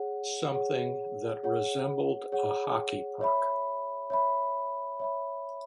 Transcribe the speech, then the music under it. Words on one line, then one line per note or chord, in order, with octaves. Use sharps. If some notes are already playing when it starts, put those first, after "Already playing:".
Something that resembled a hockey puck.
Already playing: G#4 C#5 F#5
G#4 C#5 F#5
G#4 C#5 F#5
G#4 C#5 F#5
C#5 E5 B5
C#5 E5 B5
C#5 E5 B5